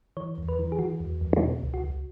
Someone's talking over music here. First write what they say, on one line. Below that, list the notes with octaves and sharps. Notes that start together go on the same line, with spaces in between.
Some people said this was because pigs were unclean.
E3 C#5
E2
B4
E3
G#4
E3 F#4
E2
E2
B2
C#2
F#4
C#2